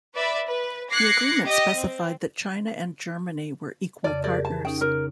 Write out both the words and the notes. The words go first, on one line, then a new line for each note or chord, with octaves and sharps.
The agreement specified that China and Germany were equal partners.
B4 D5 E5 B5
B4
D6 F#6 G#6 A#6 C7 C#7
G4 D#5
C4
F2 C#3 D5
G4 G#4 A#4 D5
A5
C#4 D#4 G5
C#3 A#4